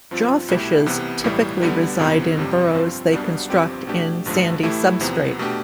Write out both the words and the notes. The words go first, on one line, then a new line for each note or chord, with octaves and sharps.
Jawfishes typically reside in burrows they construct in sandy substrate.
G2 F3 C4 F4
C2 B2 A3 E4 G4
C2 C3 E3 B3
B1 A2 E3 G3
D2 D3 G3 B3
G1 F2 C3 E3 B3
G1 F2 C3 G3
G2 F3 C4 F4
B1 B2 G3 B3 D4
G1 G2 F3 C4 G4
B2 A3 D4 G4
A1 G2 D3 F3 A3
A2 E3 A3 E4 G4
E2 C3 F3 B3
B2 A3 D4 G4